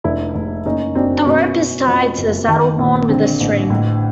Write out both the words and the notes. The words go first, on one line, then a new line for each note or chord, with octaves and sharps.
The rope is tied to the saddle horn with a string.
F1 D4 E4
F1
F#1 C#4 D#4
F#2 C4 D4
B2 B3 C#4
B2
F2
F#1
D#3
A#1
D3 C4
A1
A2